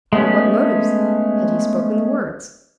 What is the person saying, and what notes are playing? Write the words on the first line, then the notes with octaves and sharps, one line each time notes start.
Under what motives had he spoken the words?
G#3 A3 B3 C#4